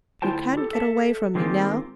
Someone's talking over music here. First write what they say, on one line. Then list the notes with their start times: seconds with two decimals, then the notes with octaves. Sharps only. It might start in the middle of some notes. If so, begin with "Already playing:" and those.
You can't get away from me now.
0.22 D2 E4 F4 C5 G5 A5
0.57 G4 A4
0.71 A4 E5 A5
1.35 D#3 G#3 A#3 C4 F4 G4